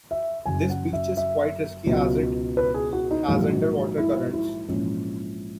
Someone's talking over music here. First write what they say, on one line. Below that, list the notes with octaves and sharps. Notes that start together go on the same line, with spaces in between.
This beach is quite risky as it has underwater currents.
E5
F#1 F#2 C#3 F#3 G#5
F#5
E5
E5
C#2 B2 F#3
B4
G#4
F#4
D#4
A#1 G#2 D#3 F#3
E4
E4
A#1 G#2 E3 C#4